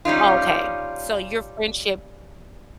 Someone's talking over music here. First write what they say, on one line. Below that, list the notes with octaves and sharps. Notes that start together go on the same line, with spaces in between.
Oh, okay. So, your friendship
G3 C#4 D#4 F4